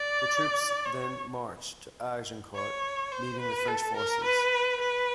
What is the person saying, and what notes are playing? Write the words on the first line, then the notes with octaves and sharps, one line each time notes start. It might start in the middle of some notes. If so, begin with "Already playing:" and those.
The troops then march to Agincourt, meeting the French forces.
Already playing: D5
C#5
C#5
C5
B4
A4
A#4
B4
B4